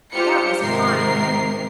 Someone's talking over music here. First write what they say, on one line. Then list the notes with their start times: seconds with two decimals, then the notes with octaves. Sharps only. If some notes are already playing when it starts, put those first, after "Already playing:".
That was kind.
0.12 F4 G4 C5 C#7
0.61 G#2 C3 D#3 A#4 C7